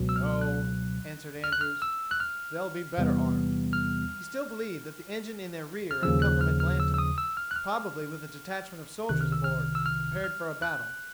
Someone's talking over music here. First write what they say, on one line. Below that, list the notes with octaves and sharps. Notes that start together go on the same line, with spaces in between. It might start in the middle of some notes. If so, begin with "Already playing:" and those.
"No," answered Andrews; "they'll be better armed." He still believed that the engine in their rear had come from Atlanta--probably with a detachment of soldiers aboard, prepared for a battle.
Already playing: C#2 B2 F#3
E6
F6
F#6
F6
F#6
F6
E6
F#6
F6
E2 C3 E3 G3 B3
F6
F6
D#2 C#3 F3 E6
F#6
F6
F6
E6
E6
D#6
E6
F6
F#6
F6
C2 C3 D#3 F#6
F6
E6
F6
E6
F6
F6
F#6